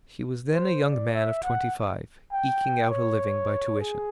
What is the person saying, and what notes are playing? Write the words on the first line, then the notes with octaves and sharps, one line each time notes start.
He was then a young man of twenty-five, eking out a living by tuition.
C5
D5
E5
F#5
G5
C#5
G#4